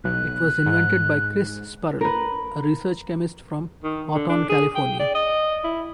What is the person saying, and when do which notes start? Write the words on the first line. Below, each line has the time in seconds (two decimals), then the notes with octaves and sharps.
It was invented by Chris Spurrell, a research chemist from Hawthorne, California.
0.04 B1 F#6
0.66 G#2
2.01 A#4 B4
3.84 D#3
4.15 D3
4.29 D4
4.50 G#4
4.75 G5
5.00 D5
5.15 D#5
5.64 E4